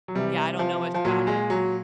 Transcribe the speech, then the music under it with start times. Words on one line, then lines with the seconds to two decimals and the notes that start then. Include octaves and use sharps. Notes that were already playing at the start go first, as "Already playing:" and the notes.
Yeah, I don't know much about it.
0.08 F#3
0.15 C3 E3 G3
0.59 F3
0.94 F3
1.04 A#2 F#3
1.27 G#3
1.50 F#3